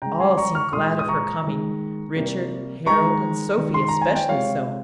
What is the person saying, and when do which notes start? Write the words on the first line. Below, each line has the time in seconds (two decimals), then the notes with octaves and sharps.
All seemed glad of her coming, Richard, Harold, and Sophy especially so.
0.02 C#3 G#3 G5 A#5
0.20 G#5 C6
0.37 A#5 C#6
0.55 C#6 F6
0.73 A#2 G#3 C6 D#6
0.99 D#6
1.08 A#5 C#6
1.44 D#3 G#3
2.15 C3 G3 A#3
2.86 D#3 G#3 A#5 C#6
3.57 D#3 G#3
3.74 C6
3.88 A#5
4.01 G#5
4.15 G5
4.29 C3 F3 G#3 C#5 F5